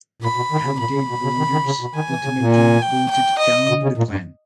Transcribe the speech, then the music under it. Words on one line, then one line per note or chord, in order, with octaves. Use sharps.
Halliday voters ultimately voted down the plan.
A#2 B5
B2
D#3
C#3
A#2 B5
C#3
B2
C#3
D#3
D#3
C#3
B2
D#3 G#5
E3
C#3
A#2
G#5
G5
G5
D#5
B2
C#3
A#2
G2